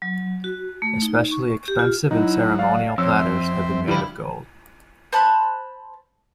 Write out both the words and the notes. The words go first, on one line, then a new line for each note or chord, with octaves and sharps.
Especially expensive and ceremonial platters have been made of gold.
F#3
F#4
A3
D#4
C#6
G4
F4
F#3 D#4 E4
D5 F5
F2 C4 C#5 E6
E5
D3 F3 G3 E4 B5
C5 A5 B5 F#6